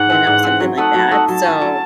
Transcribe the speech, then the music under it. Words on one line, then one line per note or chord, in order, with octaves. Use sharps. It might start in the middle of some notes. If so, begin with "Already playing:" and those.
you know, something like that, so,
Already playing: G#2 F#5
E3 C4
G#2
E3 C4
F#3
A3 D#4 A4 F#5
F#3
A3 D#4 A4
F#3 A5
C#4 E4
F#3